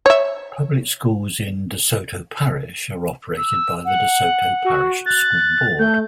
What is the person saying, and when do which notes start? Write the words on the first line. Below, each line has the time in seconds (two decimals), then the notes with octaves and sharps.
Public schools in DeSoto Parish are operated by the DeSoto Parish School Board.
0.06 C#5 E5
3.37 E6
3.85 F#5
4.65 F#4
5.06 F#6 A6
5.79 A3 G6